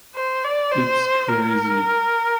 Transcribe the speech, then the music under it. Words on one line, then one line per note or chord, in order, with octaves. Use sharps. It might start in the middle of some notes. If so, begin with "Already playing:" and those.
It’s crazy.
C5
D5
C5
A#4